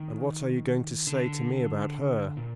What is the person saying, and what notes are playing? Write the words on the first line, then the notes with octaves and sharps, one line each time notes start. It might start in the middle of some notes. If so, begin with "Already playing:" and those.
"And what are you going to say to me about her?"
Already playing: D#3
D3
A#2